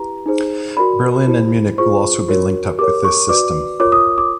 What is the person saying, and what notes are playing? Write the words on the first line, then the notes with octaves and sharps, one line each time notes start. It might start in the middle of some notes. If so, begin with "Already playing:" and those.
Berlin and Munich will also be linked up with this system.
Already playing: E4 G4 B4 A#5
D#4 G#4 C5
F#4 A#4 D5 B5
E4 G4 C5
F4 G#4 C5 C#6
F#4 A#4 C#5
G4 A#4 C#5 D6
C#6
F#4 B4 D5 D6
F4 A#4 C#5 D6
D#6
D6